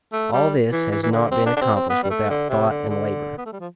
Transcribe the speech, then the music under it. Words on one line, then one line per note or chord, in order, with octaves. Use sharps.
All this has not been accomplished without thought and labor.
A3
G3
E3
E3
E3
D3
C4
D4
D4
C4
C4
B3
G3
A3
D3
C3
D3
D3
B3
A3
G3
F3